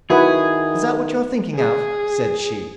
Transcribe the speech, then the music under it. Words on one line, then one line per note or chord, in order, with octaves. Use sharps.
Is that what you're thinking of?' said she.
D#3 E4 F#4 G#4 B4 F#5
G#4